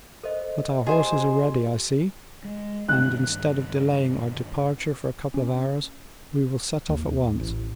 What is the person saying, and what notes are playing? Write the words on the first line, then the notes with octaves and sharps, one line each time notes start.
But our horses are ready, I see; and, instead of delaying our departure for a couple of hours, we will set off at once.
A4 C5 D#5
D#4 F#4 G#4 C5 D#5 G#5
G#3
G2 D#3 C4 F#6
C#4
D#2
A1